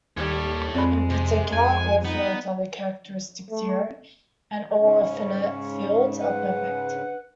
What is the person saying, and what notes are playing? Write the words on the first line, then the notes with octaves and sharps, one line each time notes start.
In particular, all fields of characteristic zero and all finite fields are perfect.
D#2 G3 A4 C#5
F2 G#3 C4 D5 B5
C3
F2 G#5
B3 D#4
A3
G#2 C#3 C#4
B4 F#5